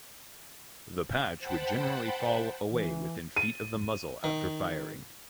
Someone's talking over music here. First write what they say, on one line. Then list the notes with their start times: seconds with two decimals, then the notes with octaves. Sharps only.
The patch would generally fall away within feet of the muzzle after firing.
1.39 C5 F#5 G5 A5 B5
2.70 E3
3.36 D#7
4.24 D#3